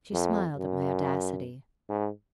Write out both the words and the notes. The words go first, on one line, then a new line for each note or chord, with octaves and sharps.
She smiled at my audacity.
F2
F#2
G#2